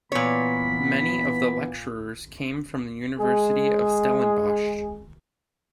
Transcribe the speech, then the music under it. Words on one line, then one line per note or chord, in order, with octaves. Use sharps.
Many of the lecturers came from the University of Stellenbosch.
A#2 E3 B3 C#5 B5
G#3 G#4